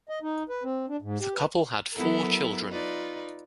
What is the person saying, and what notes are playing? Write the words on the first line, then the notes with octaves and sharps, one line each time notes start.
The couple had four children.
D#5
D#4
B4
C4
D4
G#2
G4
B4
F#3 B3 E4 A4 A#4
D#4 F4 B4 D5